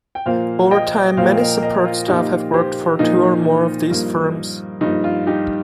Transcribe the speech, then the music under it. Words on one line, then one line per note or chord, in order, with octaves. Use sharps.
Over time many support staff have worked for two or more of these firms.
G5
A#2 F3 A#3 C5 F5
D#5 G5
A#2 F3 A#3 C5 F5
A#4 D#5
A#4 D#5
F4
A#2 F3 A#3 D#4 G4
G4 C5
A#2 F3 A#3 D#4
G2 F3 A#3
G2 F3 A#3 D#4
F4
D#4 G4